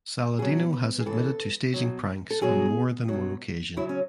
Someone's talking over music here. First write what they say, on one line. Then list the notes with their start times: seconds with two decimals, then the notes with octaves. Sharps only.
Saladino has admitted to staging pranks on more than one occasion.
0.39 B2 F#3 G#4
0.73 B4
1.00 G#4
1.06 C#3 E3 A4
1.74 B2 F#3
2.31 A4
2.41 B2 F#3 G#4
3.08 B2 F#3
3.77 C#3 F#3 E4
3.89 C#4